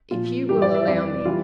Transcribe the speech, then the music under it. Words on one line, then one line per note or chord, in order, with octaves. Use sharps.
If you will allow me.
A#2 F3 F4
G2 E3 G3 G4
D5
E5
F2 E3 G3 D5
E3 G3 F4